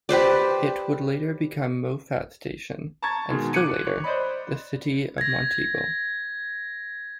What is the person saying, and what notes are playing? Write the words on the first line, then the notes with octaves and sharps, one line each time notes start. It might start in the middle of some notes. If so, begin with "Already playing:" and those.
It would later become Moffat Station and still later, the city of Monteagle.
G4 B4 C5 D5
A5 A#5 C#6 G#6 A6
B2 D#3 G#3
D6 F#6 G#6 C#7 D#7
C#5
C5 D5 D#5 B5
G#6 A#6